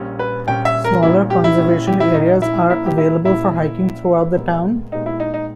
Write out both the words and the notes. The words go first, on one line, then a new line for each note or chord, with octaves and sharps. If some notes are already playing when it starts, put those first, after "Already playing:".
Smaller conservation areas are available for hiking throughout the town.
Already playing: A#1 A#2 G3 C#4
B4
A#1 A#2 G3 C#4 G5
E5
A#4
A#1 A#2 G3 C#4 E4
G4
E4
A#1 A#2 G3 C#4
G4
E4
A#1 A#2 A#3 C#4 D#4
E4
A#1 A#2 A#3 C#4 E4
G4
E4
A#1 A#2 A#3 C#4 E4
A#1 A#2 A#3 C#4
A#2 G#3 B3 G4 A#4
A#2 G#3 B3 D#4 G4 A#4
E4
D#4
D#4